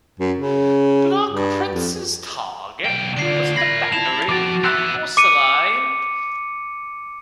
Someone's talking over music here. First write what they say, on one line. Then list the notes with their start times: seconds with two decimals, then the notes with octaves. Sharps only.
"Black Prince"s target was the battery at Morsalines.
0.20 F#2
0.38 C#3
1.29 G2
1.71 F2
2.85 B1 G5
3.17 D2 D3 F4 D5 C7 D7
3.56 A#4 B5 G#6 A#6 C7
3.92 E4 A5 F7
4.29 F3 F#4 G5 D6 A6
4.64 B3 E5 E6 F#6
5.17 D6 C#7 D#7